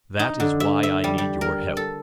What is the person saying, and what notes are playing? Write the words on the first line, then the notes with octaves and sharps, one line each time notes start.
That is why I need your help.
D#4
D3
E5
E5
G3
G3
A#4
A4